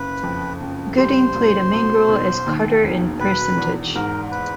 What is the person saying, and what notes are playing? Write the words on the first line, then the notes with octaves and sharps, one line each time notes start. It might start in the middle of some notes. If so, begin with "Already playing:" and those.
Gooding played a main role as Carter in "Percentage".
Already playing: F#1 B4
F2
F#1
G3 C5
A#2
B2
B1
D#2
E1
B2 B4
E2
G#2 A#4
B4